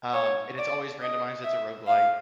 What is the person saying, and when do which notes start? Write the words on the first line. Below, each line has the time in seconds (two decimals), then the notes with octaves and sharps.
um, and it's always randomized, it's a roguelite,
0.13 C#5
0.58 D5
1.01 D#5
1.44 E5
1.87 F5